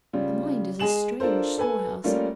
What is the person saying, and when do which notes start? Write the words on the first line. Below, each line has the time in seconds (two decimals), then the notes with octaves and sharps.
The mind is a strange storehouse.
0.13 C#3 G3 F4
0.80 G#3 G#4 G#5 E7 F#7
1.20 D4 F4 A4 A#4 C5
1.58 A4 B4 G#5
2.04 G3 A3 A#3 C#4 F4 A#4